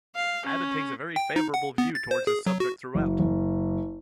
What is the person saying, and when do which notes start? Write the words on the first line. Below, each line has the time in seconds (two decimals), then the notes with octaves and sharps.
Abbott takes a very favourable view towards his subject throughout.
0.15 F5
0.46 C#4
1.16 G5
1.36 D#4
1.54 F#5
1.78 B3
1.95 A6
2.11 C5
2.27 G#4
2.47 F#3
2.60 F#4
2.95 F#1
3.19 F#1